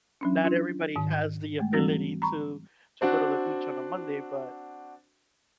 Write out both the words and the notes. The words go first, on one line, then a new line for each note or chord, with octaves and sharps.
not everybody has the ability to to go to the beach on a Monday, but
F#3 C#4 D4
D4 F4
G#2 D#3
G#3 A3
E3 G3 C4 F#4 A6 A#6
A#5 B5 C#6
C4 D4 F#4